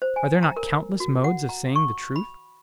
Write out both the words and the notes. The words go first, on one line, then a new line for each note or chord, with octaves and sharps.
Are there not countless modes of saying the truth?
C5
G#5
A#5
A#4
F#4
F#5
A#5
C#6
B5